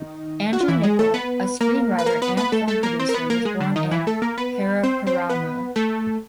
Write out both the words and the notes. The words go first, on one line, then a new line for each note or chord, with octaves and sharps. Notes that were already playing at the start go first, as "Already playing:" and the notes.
Andrew Niccol, a screenwriter and film producer, was born in Paraparaumu.
Already playing: D#3 D#4
F#4
F4
E3 E4
G#3 G#4
A3 A4
B3 B4
A#3 A#4
B4
A#3 A#4
B3 B4
B3 B4
A3 A4
A3 A4
A#3 A#4
C4 C5
A#4
B3 B4
A#3 A#4
G#3 G#4
D3 D4
D#3 D#4
E3 E4
A3 A4
A#3 A#4
B3 B4
C4 C5
C4 C5
B3 B4
A3 A4